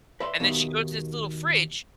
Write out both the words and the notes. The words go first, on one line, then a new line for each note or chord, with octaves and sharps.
And then she goes to this little fridge,
B4 D5 E5 B5 C6
D#2 B2 D#3 A4 E5 B5